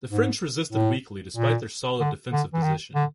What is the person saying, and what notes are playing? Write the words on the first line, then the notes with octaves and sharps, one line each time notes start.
The French resisted weakly despite their solid defensive position.
G#2
A2
A#2
D3
D3
E3
D#3
D3